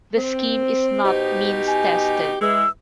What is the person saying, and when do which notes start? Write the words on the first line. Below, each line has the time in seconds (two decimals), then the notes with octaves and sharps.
The scheme is not means tested.
0.16 C4 C5
1.04 B2 D#4 G4
1.67 G#5
2.42 E3 G#3 E6